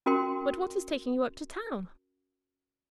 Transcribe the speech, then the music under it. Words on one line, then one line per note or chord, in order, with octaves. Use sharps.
But what is taking you up to town?
C#4 F#4 A#4 G5 C6